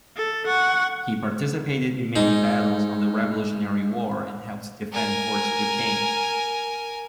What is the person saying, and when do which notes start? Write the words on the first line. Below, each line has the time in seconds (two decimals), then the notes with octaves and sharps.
He participated in many battles of the Revolutionary War and helped defend Fort Duquesne.
0.16 A4
0.46 F#5 C#6
2.16 G#2 D#4
4.92 A#4 G#5